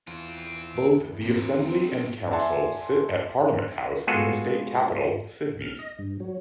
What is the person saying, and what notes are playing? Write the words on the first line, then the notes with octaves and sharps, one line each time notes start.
Both the Assembly and Council sit at Parliament House in the state capital, Sydney.
E2 C4 F4
G2 C3 C4
D5 E5 F#5 G#5 A5 C6
G#3 B3 F4 F#4 G#4 A4
F6
D#5
G2
F#3